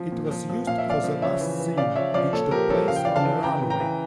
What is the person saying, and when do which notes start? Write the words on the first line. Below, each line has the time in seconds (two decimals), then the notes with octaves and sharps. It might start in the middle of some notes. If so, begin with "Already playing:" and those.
It was used for the last scene, which took place on a runway.
Already playing: F3
0.12 A#2
0.31 F3
0.49 F3
0.67 A#2 F5
0.78 E5
0.86 F3 D5 F5
1.04 F3
1.22 C#3 C#5 E5
1.41 E3
1.60 E3
1.77 C#3 D5 F5
1.96 F3 C#5 E5
2.14 F3 D5 F5
2.33 A#2 A4 C#5
2.51 F3 G4 A#4
2.69 F3 A4 C#5
2.88 C#3 F5
2.96 G5
3.05 E3 D5 F5
3.16 F5 A5
3.25 E3
3.43 C#3 G5 A#5
3.61 E3
3.70 G5 A#5
3.80 E3